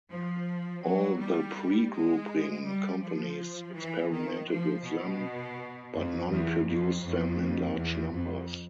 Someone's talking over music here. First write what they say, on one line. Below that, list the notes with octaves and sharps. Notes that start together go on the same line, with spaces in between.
All the pre-grouping companies experimented with them, but none produced them in large numbers.
F3
F#3
G3
G#3
G3
F3
E3
D#3
F3
B2
F2
E2
F2
F2
E2
F2